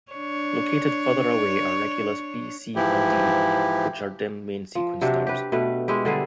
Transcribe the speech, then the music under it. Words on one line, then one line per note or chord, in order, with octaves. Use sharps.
Located farther away are Regulus B, C, and D, which are dim main-sequence stars.
D4 C#5
G#2 E3 F3 E4 G4
F3
C3 F#3 D4 G4
G4 B4
B2 A3 B4
G#3 E4 G4
D3 G3 G#4